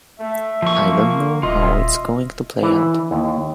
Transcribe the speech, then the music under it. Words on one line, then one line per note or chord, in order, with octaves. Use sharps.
I don't know how it's going to play out.
A3 E5
F3 A#3 C#6
D#1 F4 D#5 E5
E3
D#2